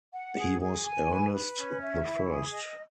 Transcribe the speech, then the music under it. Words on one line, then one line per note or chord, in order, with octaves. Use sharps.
He was Ernest the First.
F#5
G#4
G#4
G#5
B4
B4
C#4
E5
E4
G#4
D#5